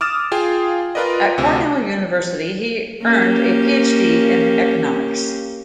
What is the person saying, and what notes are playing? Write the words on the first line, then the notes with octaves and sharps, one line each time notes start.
At Cornell University he earned a Ph.D. in economics.
D6 D#6 F6 A6 E7
F4 G#4 F5 G5
F4 A#4 B4 D5 D#5
D2 C3
A#3 C#4 G4